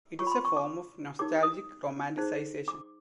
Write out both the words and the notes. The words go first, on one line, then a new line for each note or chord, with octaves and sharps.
It is a form of nostalgic romanticisation.
F4 A#4 C#5 C#6
B5
C6
C#6
D6
D#4 G4 A#4 C#5 D6
D#6
D#4 G#4 C5
D6